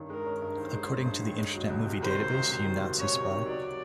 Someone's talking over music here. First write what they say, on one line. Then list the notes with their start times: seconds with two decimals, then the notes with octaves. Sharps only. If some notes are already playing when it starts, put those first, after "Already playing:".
According to the Internet Movie Database, You Nazty Spy!
Already playing: G2 D#3 C#4
0.10 G#3 A#4
0.26 C#4
0.42 G2
0.57 D#3 C5
0.74 G#3
0.90 C#4
1.06 G2
1.21 D#3
1.38 G#3
1.54 F#3
1.70 C#2
1.86 C3
2.01 D#3 C5
2.18 F#3
2.34 C#2
2.50 C3
2.66 D#3
2.82 F#3
2.98 C#2 C#5
3.14 C3
3.29 D#3
3.46 F#3 D5